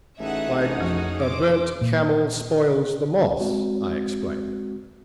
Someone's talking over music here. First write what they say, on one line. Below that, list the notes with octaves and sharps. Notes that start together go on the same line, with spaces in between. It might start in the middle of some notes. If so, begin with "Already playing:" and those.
"Like 'A burnt camel spoils the moss,'" I explained.
A1 C#4 D#4 G#4 E5 F#5
F2 F3 F#4
C5 D6
A#2
G#3 C4 F#4